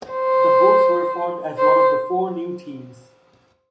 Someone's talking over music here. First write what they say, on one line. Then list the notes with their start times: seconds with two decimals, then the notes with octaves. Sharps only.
The Bulls were formed as one of the four new teams.
0.11 C5
1.58 C5